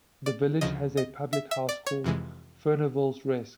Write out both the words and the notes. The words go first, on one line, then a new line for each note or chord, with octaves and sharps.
The village has a public house called 'Fernaville's Rest'.
D5
D2 C#3 F3 D#5
D#5
E5
E5
D5
C#5
F2 C3 E3 G#3